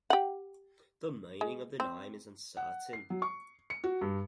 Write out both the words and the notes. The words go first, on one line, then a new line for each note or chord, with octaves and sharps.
The meaning of the name is uncertain.
G4 F#5
G#3
C4
F#5
C7
F#3
C#6
C#7
F#4
G2